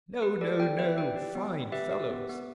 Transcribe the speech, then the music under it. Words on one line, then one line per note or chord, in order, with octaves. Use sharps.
No, no, no! Fine fellows!
G4 B4
G4 A4 D5
B3 D5 G5
B3 B4 E5
G4 D5 G5
G4
B3
B3
G4 B4 E5
G4
B3
B3